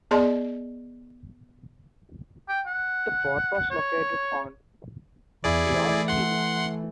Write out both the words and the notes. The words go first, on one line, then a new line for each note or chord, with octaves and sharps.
The fort was located on Deyo's Hill.
B3 G#4 D5 D#5 A5 C6
G5
F#5
C#5
E2 E4 G#4 D5
E3 A3
F#5 C6